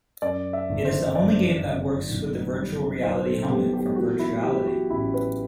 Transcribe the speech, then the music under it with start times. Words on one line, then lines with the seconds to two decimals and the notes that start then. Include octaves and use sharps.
It is the only game that works with the virtual reality helmet from Virtuality.
0.22 F#2 D5
0.53 E5
0.69 G1
0.85 C5
1.15 F#2 D5
1.63 G1
2.09 B1
2.56 G3
3.03 B1 C5
3.26 A4
3.50 B2 G4
3.74 G4
3.96 E3 F#4
4.19 E4
4.43 E3 G4
4.67 F#4
4.90 A1 E4
5.14 B4